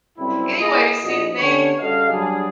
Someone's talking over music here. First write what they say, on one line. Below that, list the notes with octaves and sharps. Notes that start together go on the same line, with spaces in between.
anyways, do you think
F#1 C3 G3 C4 E4
A#3 E4 G#4 D#5
A#1 F2 A#2 E4 F#4 D#5
D3 B3 C#4 D4 G4 C#5
C#3 G3 F#4 A4 D#5 F5
F#3 G3 D4 G#4